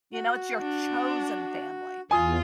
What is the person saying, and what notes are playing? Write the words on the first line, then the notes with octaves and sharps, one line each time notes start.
you know, it's your chosen family
F#4
D4
E2 F4 G#5 D#6